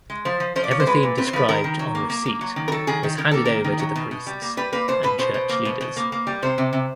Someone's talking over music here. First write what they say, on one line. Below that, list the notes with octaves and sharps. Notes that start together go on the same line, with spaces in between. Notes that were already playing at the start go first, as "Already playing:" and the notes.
Everything described on receipt was handed over to the priests and church leaders.
G#3
F3 C5
F3
F3 C5
D5
F3 C#5
C5
G#3 B4
A#2
C4 B4
C5
F3 B4
D#3 A#4
D#3
F#3
A#3
A#3
A#3
F#3
D#3
A#4
F#3 A4
D#3 G#4
D#3
D#3 A#4
A#3 A4
D#3 A#4
D#3
F#3
B2
B2
G3
A#3
G3 B4
A#3 B4
B2 C5
B2 B4
B2 C5
B2
A#3
B2
B2
A#3
A#3
G3
C3 C5
C3
C3